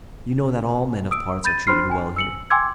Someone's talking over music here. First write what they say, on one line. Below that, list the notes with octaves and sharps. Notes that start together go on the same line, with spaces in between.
You know that all men of parts are treated well here.
D#6 E6 D7
B5 G6 A6 D#7
D4 C5 B5 C6 F6 C7
G5 G#5
E6 C#7 F#7
G5 G#5 C6 D6 E6 G#6